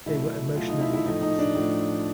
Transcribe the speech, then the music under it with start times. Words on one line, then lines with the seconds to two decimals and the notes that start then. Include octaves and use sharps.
They were emotionally abusive.
0.06 B2 F#3 A3 E4
0.56 B2 F#3 A3 F4
0.68 D#4
0.81 E4
0.93 E4
1.05 A2 F3 A3 D#4
1.22 D#4
1.39 D4
1.55 A2 F3 A3